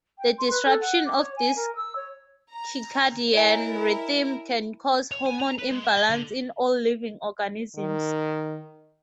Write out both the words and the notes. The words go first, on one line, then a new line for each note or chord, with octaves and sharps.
The disruption of this circadian rhythm can cause hormone imbalance in all living organisms.
G5
C6
B4
A4
F#5
D6
C#5
G#5
A#4
E6
C#5
A#5
E4 A#4 C#5 D#5 G#5
C#5
G#5
A#5
B4
G#3
E5
D#5
D3
D#3